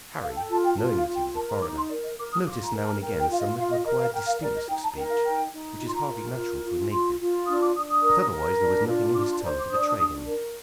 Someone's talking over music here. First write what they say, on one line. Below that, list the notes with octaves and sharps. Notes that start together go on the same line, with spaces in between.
Harry, knowing that he was a foreigner, noticed now and again some little acquired distinctness of speech which is hardly natural to a native; but otherwise there was nothing in his tongue to betray him.
A4 F5
G5
F4 A5
G5
F4 A5
F5
F4
G5
A#4 A5
A#5
D#4 D6
C6
A#4 D5
D#5
A#4 D6
D#6
F4 D6
A#5
A#4
A5
A#4 G5
G5
F4 F5
D#5
F4 F5
D#5
A#4 D#5
F5
A#4 G5
F5
A#4 D5
D#5
D#4 G5
A5
A#4 G5
F5
D#4 G5
D#4
F4 A#5
C6
A#5
A#4
F4
F4
F4 C6
F4
D4 D#6
D6
D4 D#6
D#6
A#4
A#4
D4
F4
D4 D6
C6
C5 A#5
D6
D4 D#6
D4
A#4